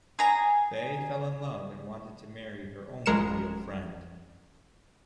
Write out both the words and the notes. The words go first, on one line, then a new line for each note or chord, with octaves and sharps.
Fei fell in love and wanted to marry her only real friend.
G#4 A#5
A1 F3 G#3 A#4 C#7 E7